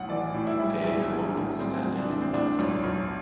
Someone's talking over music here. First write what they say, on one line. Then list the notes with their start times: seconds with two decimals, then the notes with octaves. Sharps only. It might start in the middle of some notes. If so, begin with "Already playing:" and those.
There is a woman standing in a bus stop.
Already playing: B1 A2 G3 F#5
0.09 E3 D5
0.34 A2
0.47 E4
0.59 G3
0.84 B1
1.09 E3
1.34 A2
1.59 G3 C4
1.83 B1
1.96 D4
2.09 E3
2.21 C4
2.33 A2 D4
2.59 B1
2.84 B1